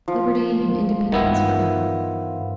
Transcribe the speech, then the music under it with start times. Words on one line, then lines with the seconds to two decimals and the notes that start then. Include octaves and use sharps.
Liberty and Independence for Ever!
0.08 F3
1.12 G2 D#3 E3 B3 E4